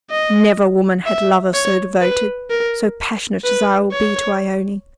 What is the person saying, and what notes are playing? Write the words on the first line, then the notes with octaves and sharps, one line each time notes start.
Never woman had lover so devoted--so passionate as I will be to Ione.
D#5
E5
C#5
B4
A#4
B4
C#5